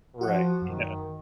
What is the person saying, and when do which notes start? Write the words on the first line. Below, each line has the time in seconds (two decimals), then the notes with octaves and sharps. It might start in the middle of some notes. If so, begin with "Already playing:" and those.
Right. Yeah.
0.21 F3 F#4 F#5
0.61 F#2 D#3